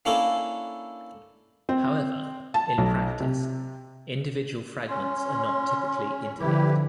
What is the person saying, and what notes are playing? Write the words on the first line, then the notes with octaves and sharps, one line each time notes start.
However, in practice, individual fragments are not typically interleaved.
A#3 C#4 D4 E4 A4 A#4
C4
A5
B1
C3
C#4 C6
D3 E3 F3 E4 G4 B4